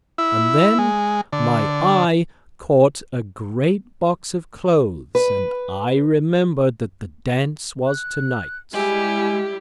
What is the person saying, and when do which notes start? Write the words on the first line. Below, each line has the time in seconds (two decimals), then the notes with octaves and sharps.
And then my eye caught a great box of clothes, and I remembered that the dance was to-night.
0.18 E4
0.79 G#3
1.32 D3
5.15 B4
7.87 F#6
8.74 G3 G#3 E4 G4 G#5